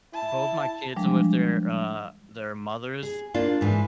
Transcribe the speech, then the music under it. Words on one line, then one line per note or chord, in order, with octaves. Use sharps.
Both my kids are with their, uh, their mothers,
E4 A5
E3 F3 G3 G#3 D4
G#4
A#3 D4 F4
G#2 E3